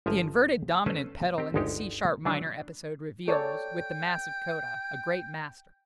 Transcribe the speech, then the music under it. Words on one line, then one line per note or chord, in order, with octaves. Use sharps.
The inverted dominant pedal in the C sharp minor episode reveals, with the massive coda, a great master.
G1 F3 E5 G#5 A#5
A3 C#4 B4 C5 A5
C4 G4
G1 D2 G#3 D#4 G4
E3 F#3 D4
A4 C#5 D5 G5